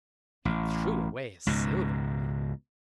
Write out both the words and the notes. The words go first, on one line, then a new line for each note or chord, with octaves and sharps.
He threw away his silver money.
A1
C#2 G#2 B2